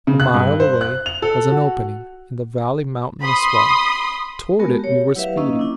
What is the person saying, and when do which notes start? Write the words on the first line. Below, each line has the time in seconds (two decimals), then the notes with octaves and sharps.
A mile away was an opening in the valley's mountainous wall; toward it we were speeding.
0.07 C#3
0.20 F#6
0.34 G2
0.60 C5
0.81 F#6
1.06 F7
1.22 A4
1.51 F#4
3.21 B5 C6 D#6
4.59 G#3 A3 B3 F#4 A#4
4.79 G4 C#5
5.15 F#3 E4 G4 B4 E5 F5
5.37 A#3 C#4 D#4 D#5 E6
5.59 D4 E4